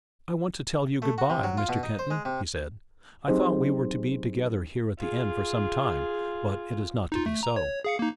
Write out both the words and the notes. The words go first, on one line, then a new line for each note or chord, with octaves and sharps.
"I want to tell you good-bye, Mr. Kenton," he said, "I thought we were to be together here at the inn for some time, but it is not to be so."
A3
F#4
C3
F#3
F4
B2
D#4
C5
G#3
C3
F#3 C4 D#4 G4 G#4 C5
F4 G#4
D#4 F4
A3
A#5
C#5
G#4 F5 C#7
A#3 D#4